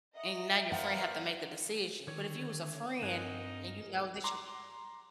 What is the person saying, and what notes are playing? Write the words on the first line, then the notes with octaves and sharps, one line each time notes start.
and now your friend have to make a decision, but if you was a friend and you know that, you
D#5 E5 F#5 A#5 D#6
B3 A#4 C5 D5 F5 F#5 F#6
D3 D#3 C#5
G2 C4 D#4 A#4 F#5 G#5
A#5 C6 D6